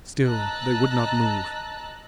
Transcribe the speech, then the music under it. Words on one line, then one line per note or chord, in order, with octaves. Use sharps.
Still they would not move.
D#5 A5 A#5 E6 F#6 A6